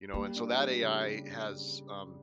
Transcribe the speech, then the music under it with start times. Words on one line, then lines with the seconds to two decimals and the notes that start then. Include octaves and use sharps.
you know? And so, that AI has, um
0.14 G3 A#3
0.36 D4
0.59 G3
0.81 C#3
1.04 G3